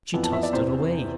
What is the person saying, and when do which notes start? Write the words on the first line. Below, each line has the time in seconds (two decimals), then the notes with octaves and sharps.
She tossed it away.
0.14 F2 E3 B3
0.24 A5
0.33 E5
0.43 D5
0.53 E2 C3 E3 C5